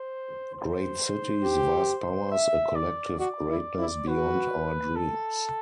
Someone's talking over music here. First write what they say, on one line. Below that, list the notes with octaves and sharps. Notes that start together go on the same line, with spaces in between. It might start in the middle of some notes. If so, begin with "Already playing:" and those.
Great cities, vast powers, a collective greatness beyond our dreams.
Already playing: C5
C5
G4
E5
D5
F#4 D5
E4
E4
F#4 B4
A4